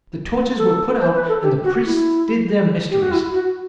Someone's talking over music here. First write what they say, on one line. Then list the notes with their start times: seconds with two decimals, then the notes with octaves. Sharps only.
The torches were put out and the priests did their mysteries.
0.58 A4
0.95 B4
1.00 C5
1.14 B4
1.28 A4
1.43 G4
1.64 F#4
1.85 E4
2.90 G4
3.01 F#4
3.11 E4
3.33 F#4